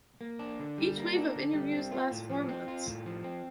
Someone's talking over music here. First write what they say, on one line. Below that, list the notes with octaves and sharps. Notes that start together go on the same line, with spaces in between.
Each wave of interviews lasts four months.
A#3
D4
D3
G3
A#3
D4
D3
G3
C4
F4
A2
F3
C4
F4
A2
F3
C4